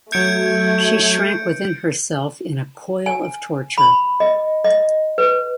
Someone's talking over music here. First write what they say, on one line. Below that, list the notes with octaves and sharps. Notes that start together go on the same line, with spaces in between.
She shrank within herself in a coil of torture.
F#3 A3 G6 G#6 C#7 D7
G#5
B5
D#5
D#5
B4